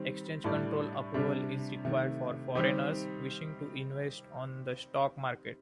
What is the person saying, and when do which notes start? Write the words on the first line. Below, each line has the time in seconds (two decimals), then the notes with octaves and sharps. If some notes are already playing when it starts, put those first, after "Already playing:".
Exchange Control approval is required for foreigners wishing to invest on the stock market.
Already playing: D#3 G3 C4
0.44 A2 G3 D4 A4 D5
1.14 C3 G3 D4
1.85 C3 D#3 A3
2.55 D#3 G3 C4 D#4 G4